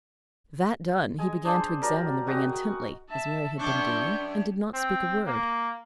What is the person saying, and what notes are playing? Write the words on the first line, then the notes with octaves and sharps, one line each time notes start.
That done, he began to examine the ring intently, as Mary had been doing, and did not speak a word.
G#3 G#5
D4 G#4 C5
F#3 G3 A#4 D5
G#3 F#4 G5 D#6
E5 A5
F#2 D4 C#6 G6
C4
A#3